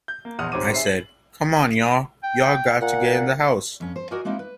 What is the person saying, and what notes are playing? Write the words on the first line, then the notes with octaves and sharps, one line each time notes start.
I said, 'C'mon y'all, y'all got to get in the house.
G6
A#3
A#1 E2 F#5 D#6 F6 D#7
D#1 G#2 C4 C#5 D6 D#7
G#4 E5 C7
F#7
G5
A#2 F#5
F#5
F2 C#4
C5
F#4 A#4 D5 D#5 G#5
G#3 A#3 C4 D#4 E4
B4